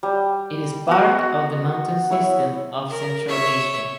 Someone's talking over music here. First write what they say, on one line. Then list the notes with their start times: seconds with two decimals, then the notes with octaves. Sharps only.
It is part of the mountain system of Central Asia.
0.03 G3
0.87 B3 F#4
2.10 E4 C#5 E5
2.90 A#4
3.28 C#5 E5